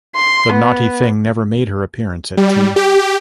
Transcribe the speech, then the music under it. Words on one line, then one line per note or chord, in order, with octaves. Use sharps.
The naughty thing never made her appearance at tea.
C6
B3
G3
G4